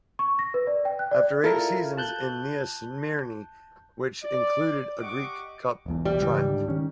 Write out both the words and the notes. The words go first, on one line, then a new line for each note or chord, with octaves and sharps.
After eight seasons in Nea Smyrni, which included a Greek Cup triumph.
C#6
A#6
B4
D5
G5
F#6
D5
E4 F4 A4 A#4
A5 F#6 G6
D5
G4 D#5 F#5 C#6 D6
E1 B1 E2
G3
C#2 G#2 E3
G#2 D3
D#3 C#4